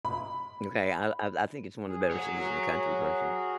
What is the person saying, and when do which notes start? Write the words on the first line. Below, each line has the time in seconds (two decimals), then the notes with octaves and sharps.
Okay? I I I think it's one of the better cities in the country, personally.
0.05 B5
1.88 G#4
2.11 C#5 F#5
2.37 F#4 G#4 A#4